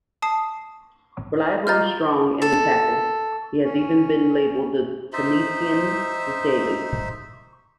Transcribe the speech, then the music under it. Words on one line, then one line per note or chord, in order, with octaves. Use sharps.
Reliable and strong in the tackle, he has even been labelled "the Tunisian Desailly".
A5 D#6 C7
F4 D#5 A#5 F6 G6 A6
A4
C#4
D#4 C5 E5